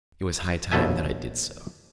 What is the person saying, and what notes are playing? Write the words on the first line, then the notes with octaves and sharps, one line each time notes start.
It was high time that I did so.
A#1 D#2 B2 A4 E5 G#5